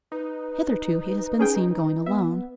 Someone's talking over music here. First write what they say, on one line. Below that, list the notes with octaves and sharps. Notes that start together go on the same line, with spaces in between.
Hitherto he has been seen going alone.
D#4 B4
C#4 G#4 G5
B3 E5